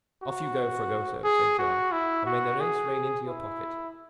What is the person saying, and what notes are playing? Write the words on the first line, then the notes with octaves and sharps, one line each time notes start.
"Off you go, Fragoso," said Joam, "and may the reis rain into your pocket!"
F#4
G#4
F#4
E4
F#4
G#4
E4